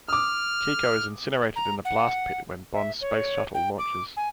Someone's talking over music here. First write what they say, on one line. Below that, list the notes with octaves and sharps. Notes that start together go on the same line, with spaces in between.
Kiko is incinerated in the blast pit when Bond's space shuttle launches.
D6 D#6 F6
A#5
F#5
E5
C#5
G5
D6
G#5